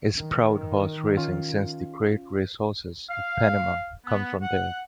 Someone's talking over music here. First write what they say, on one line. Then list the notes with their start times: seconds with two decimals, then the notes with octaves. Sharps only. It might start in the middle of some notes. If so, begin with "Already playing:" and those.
Is proud horse racing since the great racehorses of Panama come from there.
0.17 D#3
1.17 C#4 F4 F5
3.09 F5
4.05 B3
4.42 F#5